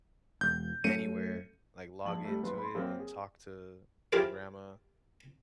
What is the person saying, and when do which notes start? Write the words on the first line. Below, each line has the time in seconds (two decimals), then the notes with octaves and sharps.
anywhere, like, log into it and talk to my grandma
0.41 E1 G6
0.84 F#2 A3 C#4 C#7 D#7
2.05 A#1 A5 F#7
2.25 G3 A3
2.42 F#1 B4 C6
2.58 B5 C6
2.75 F#2 A#3 C4
2.99 G#4
4.12 E4 F4 G4 G#4 A#4 C5